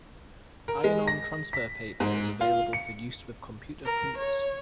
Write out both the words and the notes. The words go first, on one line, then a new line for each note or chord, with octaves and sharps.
Iron-on transfer paper is available for use with computer printers.
A#4
G#3
A#6
B6
G#2
F4
C#7
A#4
C#5